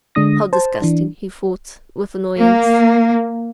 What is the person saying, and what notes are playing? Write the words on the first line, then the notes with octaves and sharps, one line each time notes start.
"How disgusting," he thought with annoyance.
D3 G#3 D4 D#6 A#6
C5 A5
E3 D4
A#3